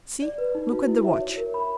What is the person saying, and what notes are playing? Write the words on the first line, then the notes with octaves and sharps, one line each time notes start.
See, look at the watch.
D5
B4
D#4
F#4
E4
E5
C#5
A#4
B5